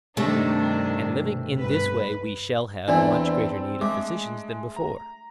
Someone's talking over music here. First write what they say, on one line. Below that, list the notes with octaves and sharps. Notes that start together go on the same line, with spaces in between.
And living in this way we shall have much greater need of physicians than before?
G2 C3 D#3 A3 D4
B2
G1 B4
E2 E3 C4 D4 A4 D5 G#5
G#3 A3 D6
A#5